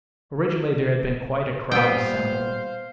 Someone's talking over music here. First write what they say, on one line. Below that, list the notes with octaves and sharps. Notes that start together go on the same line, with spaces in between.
Originally there had been quite a crowd assembled.
A#2 G3 B3 C5 F5 G5 C6